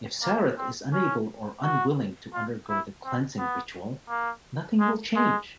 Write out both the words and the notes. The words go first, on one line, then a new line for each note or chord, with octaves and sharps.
If Sareth is unable or unwilling to undergo the cleansing ritual, nothing will change.
A#3
C4
C#4
F#4
F4
E4
C4
B3
A#3
G#3
G#3